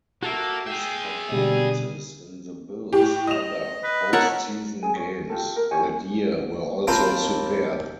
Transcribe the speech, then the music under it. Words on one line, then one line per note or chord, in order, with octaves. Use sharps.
His performances in the Bills other postseason games that year were also superb.
A#3 F#4 A4 E5
G#4 E5 G5 C7
B2 D3 G3
A2 G4
D#5 D#6 F7
B4
A4 A#4 C#5 F#5
G#4 G#5
C#5
F4 G4 A4
A#4
E4 G4 C#5 G#5
D#2 C4 F4 A#4 A5 B5 G6